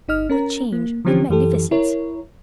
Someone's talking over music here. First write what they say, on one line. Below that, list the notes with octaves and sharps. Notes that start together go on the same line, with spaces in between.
What change--what magnificence!
G1 D#4 D#5 F6
C#4 A#4 A#5
A#3
D3 E3 F3 C4 C#4 G4
F#2 E3 G4 A4
E4 A#4 C#5